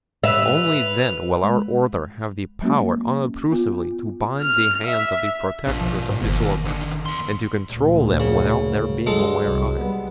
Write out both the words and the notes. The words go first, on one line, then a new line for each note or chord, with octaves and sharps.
Only then will our order have the power unobtrusively to bind the hands of the protectors of disorder and to control them without their being aware of it.
B4 E5 F7
G#3
F#3 G#3 A#3 C#4 F#4
B3 F4
F6
E5
A#1 B2 F4
F3
G#2
G1 D#2
D3 D#3
E2 C6
D2 A#2
C#3
F#3 G#3 A4
C2
G3 B3